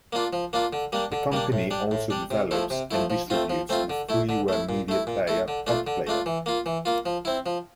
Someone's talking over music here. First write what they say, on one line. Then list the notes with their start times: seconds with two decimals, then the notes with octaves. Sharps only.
The company also develops and distributes the freeware media player PotPlayer.
0.13 A#3 D4 F4
0.33 F3
0.53 A#3 D4 F4
0.73 D3
0.92 G3 A#3 D4
1.12 D3
1.32 G3 A#3 D4
1.52 A2
1.71 G3 D4
1.91 A2
2.10 G3 D4
2.31 C3
2.51 F3 A3 E4
2.70 C3
2.91 F3 A3 E4
3.10 F3
3.30 A3 C4 F4
3.50 F3
3.69 A3 C4 F4
3.90 D3
4.09 A3 E4
4.29 D3
4.48 A3 E4
4.69 A#2
4.89 A3 E4
5.07 A#2
5.27 A3 E4
5.48 D3
5.67 A3 D4 F4
5.87 D3
6.07 A3 D4 F4
6.26 E3
6.46 A#3 F4
6.66 E3
6.85 A#3 F4
7.06 F3
7.25 C4 E4
7.46 F3